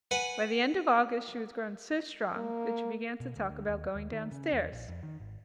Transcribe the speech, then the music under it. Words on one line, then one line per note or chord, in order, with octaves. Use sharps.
By the end of August she was grown so strong, that she began to talk about going down stairs.
B4 F#5 G#5
A#3
B2
D2
D2
D#2
D#2
D#3
C#3
E2
A#1
F2
D#3
G#1